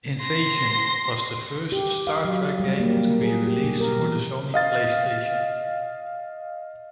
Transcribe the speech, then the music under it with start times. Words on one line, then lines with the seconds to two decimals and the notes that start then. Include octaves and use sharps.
"Invasion" was the first "Star Trek" game to be released for the Sony Playstation.
0.20 C6 A#6
1.72 G4
2.07 F5
2.24 F#3
2.60 G3
2.79 A#3
2.97 A#3
3.22 G#4
3.47 G4
3.64 B2
3.80 A#4
3.99 E3
4.54 D#5 F5 A6